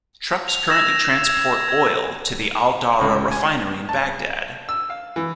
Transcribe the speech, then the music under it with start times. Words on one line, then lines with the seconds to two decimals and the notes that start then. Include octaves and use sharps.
Trucks currently transport oil to the Al Daura refinery in Baghdad.
0.48 F7
0.68 E6 G#6 A#6 E7
1.26 G#6
1.68 E6 G#6
3.01 C#2
3.31 G#5
3.89 A5
4.69 E6
4.90 F5
5.16 E3